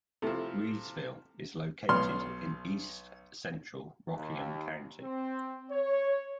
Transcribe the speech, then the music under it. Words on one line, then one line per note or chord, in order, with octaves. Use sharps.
Reidsville is located in east central Rockingham County.
C3 F3 A3 E4 A4
B1 C6 F6
D#2
C4
C#5